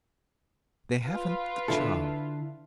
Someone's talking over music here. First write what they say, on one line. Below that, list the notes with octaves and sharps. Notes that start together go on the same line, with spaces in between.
They haven't the charm.
F4 B4
D3 E4 A4